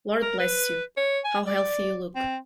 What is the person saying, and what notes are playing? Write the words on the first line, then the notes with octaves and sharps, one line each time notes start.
Lord bless you, how healthy you look!
A#4
B4
C#5
G#5
D5
C4